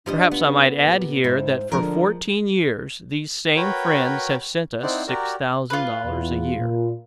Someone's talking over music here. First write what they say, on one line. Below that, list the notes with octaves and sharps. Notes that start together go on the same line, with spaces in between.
Perhaps I might add here that for fourteen years these same friends have sent us six thousand dollars a year.
F3 G3 D4 D#5
B3 F4
A#2 G4
G#2 E4 C5
D3 F3 G#3 A#4
F#4 A#4 B4 C#5 G5 B5
C4 D#4 E4 C5 D5 F#5
F#4 G4 A#4 D5 A#5
F4 B4
E2
A#2